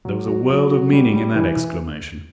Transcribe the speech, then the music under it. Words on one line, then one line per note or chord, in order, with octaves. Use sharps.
There was a world of meaning in that exclamation.
F#3
F#4
F#3
F#4
G3
G3
E3
E3